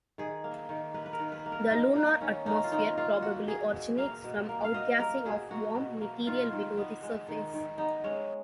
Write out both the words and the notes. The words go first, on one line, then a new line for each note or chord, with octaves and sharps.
The lunar atmosphere probably originates from outgassing of warm material below the surface.
D#3 G#4
A#3
D#3
A#3 B4
B4
A#4
D#3
B4
A#3
A#4
D#3 D#4
A#3 D#4
D#3 C#4
A#3 D#4
F4
D#3 D#4
A#3 F4
B2 F#4
A#3 G#4
B2
A#3 F5
B2
A#3
F5
B2 D#5
A#3 A#4
B2 G#4
A#3 F#4
B2
A#3
D#3 F4
D#3
B3
G#3
D#3
D#3
B3 D#4
G#3 C#4